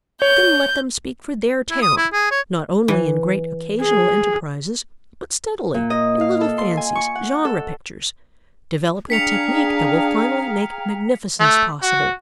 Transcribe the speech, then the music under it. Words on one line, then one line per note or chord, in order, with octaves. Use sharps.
Then let them speak for their town, not only in great occasional enterprises, but steadily, in little fancies, genre pictures, developing a technique that will finally make magnificence possible.
C#5 G6
E4
D#6
E4
G#4
C#5
E3
G#4
A#2
D#5
F5
A4
C6
G#5
C#6
F#5
A4
D4 G#4 F5 G5 A#5 B6 C#7 F7
A3
F#4